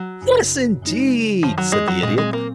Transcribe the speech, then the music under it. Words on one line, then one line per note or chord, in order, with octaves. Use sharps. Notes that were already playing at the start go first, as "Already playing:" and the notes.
"Yes, indeed," said the Idiot.
Already playing: F#3
G#1 F#2 C#3
F#2 C#3 G#3 D#4
G#1 F#2 D#3 F3
F#3
G#3
F#3
A#2 F#3 G#3 C4
G#3
A#3